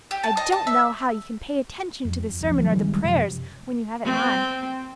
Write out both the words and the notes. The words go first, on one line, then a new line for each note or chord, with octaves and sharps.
I don't know how you can pay attention to the sermon or the prayers when you have it on.
G4
A5
D#5
A5
E5
F2
C2 F2 F3
D#3 F3 F#3 C4
C2 D#3 G3 G#3
F#2 C3 F3
C4